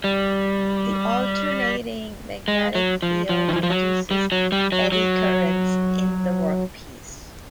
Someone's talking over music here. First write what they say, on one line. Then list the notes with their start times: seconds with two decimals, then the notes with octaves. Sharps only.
The alternating magnetic field induces eddy currents in the workpiece.
0.04 G3
2.48 G#3
2.75 F#3
3.02 F3
3.29 F3
3.48 D#3
3.56 E3
3.63 F3
3.70 F#3
4.11 G3
4.32 F#3
4.52 G3
4.72 F#3
4.92 F#3